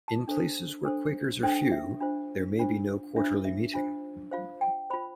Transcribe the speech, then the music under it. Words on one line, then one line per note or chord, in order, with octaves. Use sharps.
In places where Quakers are few, there may be no Quarterly meeting.
A5
D4 A4 C5
D4 A4 C5
D4 A4 C5 G5
E5
D4 F4 C5
D4 F4 C5
D4 F4 C5 E5
E5
D4 F4 C5
F4 C5 F5
G5
F4 C5 B5